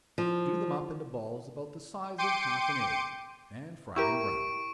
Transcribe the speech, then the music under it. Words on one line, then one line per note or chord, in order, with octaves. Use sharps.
Do them up into balls about the size of half an egg, and fry them brown.
F3
G5 C6 D6 C#7 D#7
E4 G4 A#4 C#6 D7